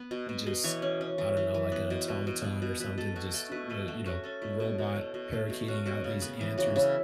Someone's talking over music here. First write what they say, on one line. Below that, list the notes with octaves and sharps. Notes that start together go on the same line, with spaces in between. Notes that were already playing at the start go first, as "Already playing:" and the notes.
just, I don't know, like an automaton or something, just r r you know, robot parakeeting out these answers.
Already playing: B3
B2
B2
B2
E3 C#5
C#4
C#4
E3
E3
E3
B3
B2
B2
B2
B3
B2
B2 B4
B2 A4
B2 F#4
A3 A4
B2 B4
A3 B4
A3 F#4
C#4 F#4
C#4 A4
B2 E4
B2
B2
A3
B2
A3
B2
C#4 F#4
B2 F#4
C#3
B3
E3
C#3 F#4
C#3 E4